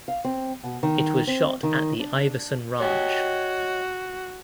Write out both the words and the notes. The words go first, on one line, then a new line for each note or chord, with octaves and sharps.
It was shot at the Iverson Ranch.
F5
C4
B2
D#3
C4
D#3
D4
F#4 C#5 D#5 G5